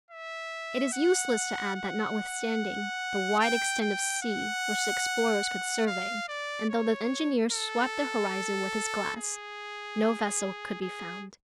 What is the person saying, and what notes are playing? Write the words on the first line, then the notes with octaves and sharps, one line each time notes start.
It is useless to add that notwithstanding the wide extent of sea which the explorers could survey, and though the engineer swept the horizon with his glass, no vessel could be found.
E5
F#5
F#5
G5
G5
F#5
F5
D5
C#5
A4
G#4
G#4